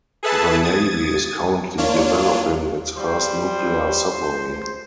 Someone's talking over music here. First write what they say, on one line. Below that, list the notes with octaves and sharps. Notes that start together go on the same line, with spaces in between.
The Navy is currently developing its first nuclear submarine.
G#4 A4 B4 E5 A5
D#6 G#6 A6
A#3 D4 F4 C#5
G3 C5